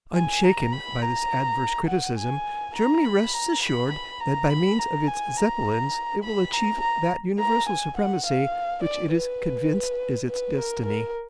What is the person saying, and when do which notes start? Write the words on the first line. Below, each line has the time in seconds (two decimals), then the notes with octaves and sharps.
Unshaken by this adverse criticism, Germany rests assured that by means of its Zeppelins it will achieve that universal supremacy which it is convinced is its Destiny.
0.15 G#5
0.43 A#5
0.72 B5
1.02 A#5
1.88 F#5
2.18 G#5
2.76 A#5
3.05 B5
3.34 A#5
3.63 B5
3.91 B5
4.20 A#5
4.50 B5
4.79 A#5
5.07 G#5
5.37 A#5
6.23 B5
6.53 A#5
6.81 A#5
7.39 A#5
7.69 G#5
7.97 F#5
8.26 F5
8.84 D5
9.13 B4
10.28 B4
10.58 A#4
10.86 A#4